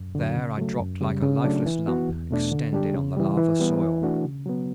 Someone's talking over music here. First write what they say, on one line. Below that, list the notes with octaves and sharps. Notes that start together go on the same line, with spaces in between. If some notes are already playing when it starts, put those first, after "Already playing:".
There I dropped like a lifeless lump, extended on the lava soil.
Already playing: F#2
D3 F#3
C#3
F#3 A3
F#2
C#3 G3
C#3
F#3 A3 D4
E3
B3 F#4
E2
B2 A3 D4
D3
G3 D4 G4
C#3
E3 G3
E3
G3 B3
E3
A3 D4 F#4
C#3
F#3 B3